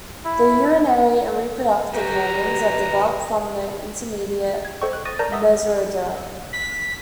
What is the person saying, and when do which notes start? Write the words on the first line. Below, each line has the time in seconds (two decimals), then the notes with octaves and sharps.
The urinary and reproductive organs are developed from the intermediate mesoderm.
0.25 E4
1.93 D2 F#3 G4 B4 A#5
4.65 G#6
4.82 A4 C5 D#5 G5 C#6
4.93 F#6
5.05 C#6 D#6 A6 A#6 D#7
5.19 A#4 D5 A5 A#5 G6 A#6
5.32 D#5 E5 F#5 D#6 E6
6.53 B6